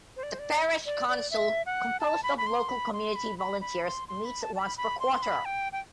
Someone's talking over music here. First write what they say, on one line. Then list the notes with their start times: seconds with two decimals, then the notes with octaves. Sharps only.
The Parish Council, composed of local community volunteers, meets once per quarter.
0.16 C5
0.23 D5
0.32 C5
0.39 D5
0.86 D5
1.09 D5
1.31 E5
1.66 F#5
2.00 A5
2.23 B5
2.38 B5
2.47 C6
2.69 B5
2.93 C6
3.16 B5
3.38 B5
3.61 B5
3.85 C6
4.08 C6
4.25 B5
4.42 A5
4.55 A5
4.59 B5
4.77 B5
5.00 C6
5.22 B5
5.45 G5
5.73 G5